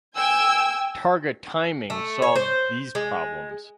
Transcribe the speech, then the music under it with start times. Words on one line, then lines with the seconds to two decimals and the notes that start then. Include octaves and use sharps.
Targa timing solved these problems.
0.15 G5 G#5 E6
1.90 A3
2.22 C#5
2.36 C5
2.95 G#3